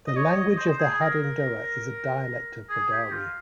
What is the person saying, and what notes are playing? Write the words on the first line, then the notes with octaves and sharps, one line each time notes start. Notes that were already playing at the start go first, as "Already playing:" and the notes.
The language of the Hadendoa is a dialect of Bedawi.
D#5
C#5
D#5
C5
G#4
A#4
G#4
G4
F4